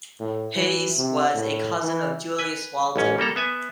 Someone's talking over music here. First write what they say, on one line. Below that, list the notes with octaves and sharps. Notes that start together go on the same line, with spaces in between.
His was a cousin of Julius Walter.
A2
E3
C3
A2
E3
B4 G#5
A1 G#2 C#4
G3 A#3 A4 A#5
B3 E5 G#5